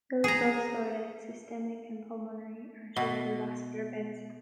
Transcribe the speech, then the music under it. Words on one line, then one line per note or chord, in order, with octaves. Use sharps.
Iloprost dilates systemic and pulmonary arterial vascular beds.
G#4 A#5
B2